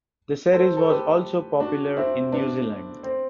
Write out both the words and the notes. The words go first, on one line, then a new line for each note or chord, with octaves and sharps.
The series was also popular in New Zealand.
A4 C5
A4
G4 B4
D4 F#4
C4 E4
B3 D4
C4